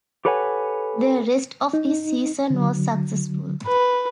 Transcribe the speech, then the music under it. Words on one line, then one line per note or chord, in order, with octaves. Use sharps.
The rest of his season was successful.
G4 A4 B4 C#5 F#5 G#5
D#4
D3 F#3
B4